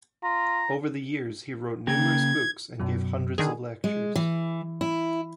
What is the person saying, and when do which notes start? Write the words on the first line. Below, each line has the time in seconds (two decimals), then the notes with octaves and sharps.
Over the years he wrote numerous books and gave hundreds of lectures.
0.24 F4 A#5
1.87 C#3 A#3 G4 G#6
2.80 F#2 B2 F#3
3.38 D3 D#3 G#4
3.84 G#3
4.16 E3
4.81 E4